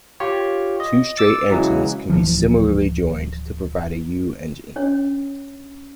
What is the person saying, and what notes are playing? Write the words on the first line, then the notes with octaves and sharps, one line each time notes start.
Two straight engines can be similarly joined to provide a U engine.
F4 G4 C#5
D#5
D6 E6 A6
C#3 E3 F#3 G#3
D1 D#2 E3 F3
C#4 D4 C#5